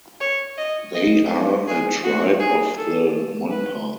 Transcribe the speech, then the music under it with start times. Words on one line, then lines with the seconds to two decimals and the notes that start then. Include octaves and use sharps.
They are a tribe of the Monpa.
0.20 C#5
0.58 D#5
0.94 D#5
1.67 G#4
2.03 F#4
2.39 G#4
2.76 A4
3.50 B4